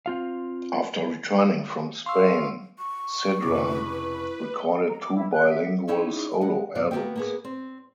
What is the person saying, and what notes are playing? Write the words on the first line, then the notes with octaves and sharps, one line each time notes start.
After returning from Spain, Sidran recorded two bilingual solo albums.
C4 F4 F5
F5 C6 C#6 E6
C#6
F1 C#3 E4 B4 D6
A#5
D6
E4
F#6
E5
C#4 D#4 E4 G#4 C#5
G#3 F#5
F#2 C3 F4 D5
A#3 B3 F#4 G4 G5
A#3 B3 G#4
C4